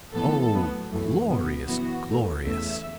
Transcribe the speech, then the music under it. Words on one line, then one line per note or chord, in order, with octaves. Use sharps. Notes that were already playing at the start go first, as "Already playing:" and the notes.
Oh, glorious, glorious!
A2 E3 B3 A4
A2 F#3 B3
F#2 E3 A3
B2 B3
F#2 E3 B3 F#4
A2 A3
E2 C#3 A3 E5